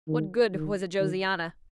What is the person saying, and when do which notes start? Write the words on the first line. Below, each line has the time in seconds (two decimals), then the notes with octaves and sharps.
What good was a Josiana?
0.08 D#3
0.54 D#3
1.00 D#3